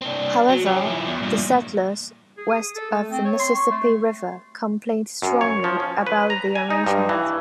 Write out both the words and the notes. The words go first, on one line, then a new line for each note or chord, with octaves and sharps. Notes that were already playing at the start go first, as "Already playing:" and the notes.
However, the settlers west of the Mississippi River complained strongly about the arrangement.
C4 D4
F#3
C#4 G4
F3 E4
E2
G2 A#2
G#4
D#6
A4
A3
C4
C#5
C6
C#6
A3
F#2
C#5
F3
C#4
B4
A#5
G#5
D#4
G2
E3